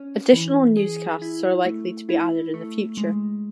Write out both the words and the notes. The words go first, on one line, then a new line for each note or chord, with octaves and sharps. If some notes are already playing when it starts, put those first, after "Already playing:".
Additional newscasts are likely to be added in the future.
Already playing: C#4
E3
G#4
E4
A3
E4
A3
G#3